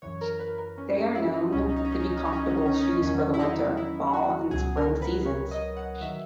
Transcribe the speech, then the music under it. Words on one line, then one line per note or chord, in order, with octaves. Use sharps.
They are known to be comfortable shoes for the winter, fall and spring seasons.
F#2 E3 C#5
A#4
B4
A#4
C#4
C#4
D#4
E4
D#4
C#2 B2 F#3 C#4
D#4
C#4
D#4
C#4
D#4
C#4
D#4
C#4
D#4
C#4
D#4
C#4
D#4
C#4
D#4
C#4
E2 D#3 F#3 C#4
E4
D#4
E4
F#4
C#2 B2 F#3 G#4
A#4
B4
C#5
D#5
F#5
D#3 F#3 E5